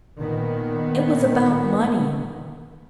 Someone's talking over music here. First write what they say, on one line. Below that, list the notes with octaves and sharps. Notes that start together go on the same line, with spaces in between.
'It was about money.
A#2 D#3 B3